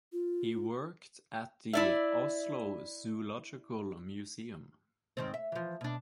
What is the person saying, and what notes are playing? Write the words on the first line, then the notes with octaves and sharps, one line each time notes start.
He worked at the Oslo Zoological Museum.
F4
E4 D5 E5
G#2 D#3 C4
E5
E3 F3
B2 D4